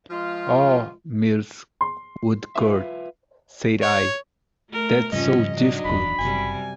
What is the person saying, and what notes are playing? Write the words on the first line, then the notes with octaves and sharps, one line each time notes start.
"Oh, Mrs. Woodcourt," said I, "that is so difficult!"
F3 G#3 F4
C6
F4 B4 E5
C#5
A3 A#4
F2 G#2 C#3 F3 G3 C#4 D#5
F#3 D4 D#4
D#1 E2 B5
F#1 F#2 C3 G3 G#5